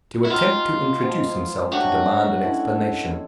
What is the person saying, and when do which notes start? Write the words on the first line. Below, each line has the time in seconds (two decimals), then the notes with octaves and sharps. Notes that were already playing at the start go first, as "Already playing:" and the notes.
To attempt to introduce himself to demand an explanation.
0.25 E4
0.30 B3 D#4 F4 G4
1.01 F3 G#3 B3
1.71 F#3 A3 D4 F#4 G4
2.43 G#3 C#4 E4 A4